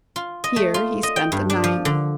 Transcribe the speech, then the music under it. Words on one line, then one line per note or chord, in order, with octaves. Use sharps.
Here he spent the night.
F4
D#5
A3
F4
D#5
G5
G2
D4
F3
D3